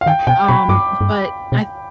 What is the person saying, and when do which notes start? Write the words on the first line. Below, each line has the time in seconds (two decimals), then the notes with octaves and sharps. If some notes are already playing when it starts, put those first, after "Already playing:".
um, but I
0.01 F5
0.06 D#3 G5
0.27 B2 G5
0.48 B2 B5
0.69 G2 D6
1.01 G2
1.52 B2